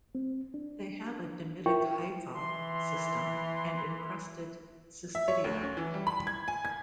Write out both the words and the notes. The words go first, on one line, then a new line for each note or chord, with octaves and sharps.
They have a dimitic hyphal system and encrusted cystidia.
C4
D4
E4 F4 A#4 G5 C#6
E3 C6
E5
C#5
D2
C#4
E3
G3
B5
G#6
G#5
G#6